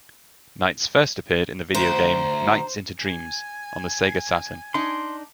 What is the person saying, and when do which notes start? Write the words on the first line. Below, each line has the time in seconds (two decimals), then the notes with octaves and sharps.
Nights first appeared in the video game "Nights into Dreams..." on the Sega Saturn.
1.75 D2 C5 A#5
3.01 G#5
4.74 D4 D#4 C6